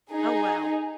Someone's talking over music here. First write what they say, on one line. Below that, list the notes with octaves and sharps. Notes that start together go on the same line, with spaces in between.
Oh, wow.
D#4 G#4